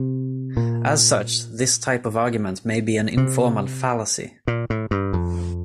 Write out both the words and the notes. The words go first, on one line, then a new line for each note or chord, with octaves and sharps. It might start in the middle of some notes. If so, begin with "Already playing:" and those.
As such, this type of argument may be an informal fallacy.
Already playing: C3
A#2
C3
A#2
A2
G2
F2